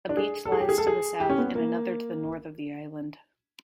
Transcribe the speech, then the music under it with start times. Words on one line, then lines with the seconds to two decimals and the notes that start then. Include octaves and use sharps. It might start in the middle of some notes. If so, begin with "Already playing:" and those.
A beach lies to the south, and another to the north of the island.
0.09 D4
0.17 G#4
0.45 A4
0.52 G#4
0.61 G4
0.69 G#4
0.78 A4
0.87 G#4
1.20 G4
1.30 C#4
1.38 B3
1.55 A#3